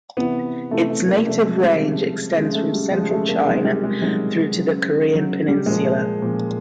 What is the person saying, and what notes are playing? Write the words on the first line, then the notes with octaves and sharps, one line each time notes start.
Its native range extends from Central China through to the Korean peninsula.
C3 E3 B3
C3 E3 A3
A3
A#3
C3 F3 A3
G#3
G3
C3 F3
C#3 F3 G#3
A3
G3
C#3 F3 G#3
A3
A#3
C3 D#3 F#3 G#3
G3
G#3
C3 D#3 F#3 G#3
C#3 F#3
C#3 F#3
G3
A#2 F3 G#3
A#2 F3